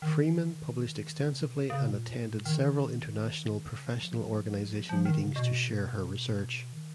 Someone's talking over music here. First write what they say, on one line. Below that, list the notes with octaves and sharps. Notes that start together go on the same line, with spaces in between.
Freeman published extensively and attended several international professional organization meetings to share her research.
D#3
C#3
B2
C#3
C#3
A#2
D#3
C#3
F3
F3
D#3
C#3
B2
D#3